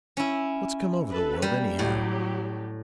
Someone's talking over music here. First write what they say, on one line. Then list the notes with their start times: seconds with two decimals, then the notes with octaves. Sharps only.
What's come over the world anyhow?
0.17 C#4 E4
1.10 A4 B4
1.42 G3 A#3
1.79 A2 F#3 G4